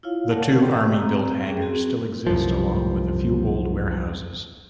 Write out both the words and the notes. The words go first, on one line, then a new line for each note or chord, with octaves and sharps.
The two Army built hangars still exist along with a few old warehouses.
E4 F4 C#5 F5
A#4 C#5 D5 F5 F#5 A5
A#3 G4 D5 D#5 G5
C4 A#5
C#4 G#4 G5
C4 F#4 G#4
C2 F#2 F3